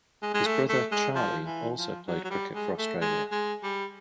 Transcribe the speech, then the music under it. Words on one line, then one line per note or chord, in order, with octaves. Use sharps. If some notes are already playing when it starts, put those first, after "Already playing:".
His brother, Charlie, also played cricket for Australia.
G#3
G#3
A3
A3
G#3
F3
E3
F3
F#3
F#3
G3
G#3
A3
G#3
G#3
G3